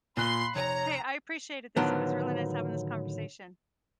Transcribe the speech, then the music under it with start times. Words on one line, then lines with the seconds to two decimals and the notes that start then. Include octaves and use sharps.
Hey, I appreciated this. It was really nice having this conversation.
0.17 A#2 B5 C6 F#6
0.55 F1 C#5 A#5
1.77 A2 D3 D#3 F3 F#3 B3